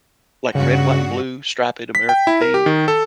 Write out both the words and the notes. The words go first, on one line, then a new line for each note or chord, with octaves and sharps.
like, red, white, and blue, striped, American themed.
G2 C#3 F#4
B6
G5
E4
A#4
G4
D#3
A4